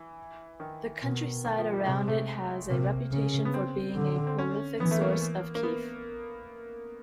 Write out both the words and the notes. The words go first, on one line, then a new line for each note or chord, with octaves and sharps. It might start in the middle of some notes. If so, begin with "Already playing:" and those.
The countryside around it has a reputation for being a prolific source of kief.
Already playing: E3
D#3
B2
D#3
F3
G3
A3
C3 G#3
A3
C3 A#3
C#3
B3
C4
D3
C4
C#4
E3 B3
A3
A#3
A#3
B3